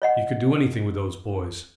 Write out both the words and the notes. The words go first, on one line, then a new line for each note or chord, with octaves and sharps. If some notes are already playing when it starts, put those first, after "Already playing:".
'You could do anything with those boys.
C#5 D#5 F#5